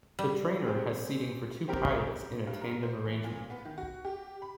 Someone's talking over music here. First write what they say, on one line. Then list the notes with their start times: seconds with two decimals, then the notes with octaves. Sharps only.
The trainer has seating for two pilots in a tandem arrangement.
0.19 G3
0.65 C4 G4 G#4
1.68 C4 G4 A#4
2.47 G2
2.61 A#4
2.83 C5
3.05 E3
3.24 A#2
3.50 B3
3.65 D#3
3.78 F#4
4.05 G4
4.42 B5